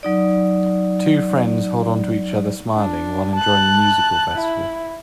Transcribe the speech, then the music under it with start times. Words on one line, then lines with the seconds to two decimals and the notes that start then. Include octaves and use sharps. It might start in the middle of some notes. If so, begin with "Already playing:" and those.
Two friends hold onto each other smiling while enjoying a musical festival.
0.03 F#3 D#4 D5
2.73 D4
3.35 A5 F#6
4.35 E4